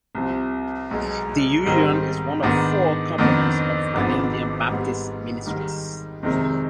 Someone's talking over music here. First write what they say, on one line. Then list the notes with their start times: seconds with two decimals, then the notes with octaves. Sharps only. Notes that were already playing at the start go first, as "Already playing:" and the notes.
The union is one of four components of Canadian Baptist Ministries.
0.15 C2 C3 F3
0.91 B1 B2 G#3
1.66 G#2 D#3 G3 C4 D#4
2.43 G#2 D#3 B3 D4
3.18 F2 D#3 B3 D4
3.94 G#1 G#2 F3 B3 D4
4.70 G#2 G3 B3
5.46 G#2 D#3 G3
6.23 F2 C3 D#3 G#3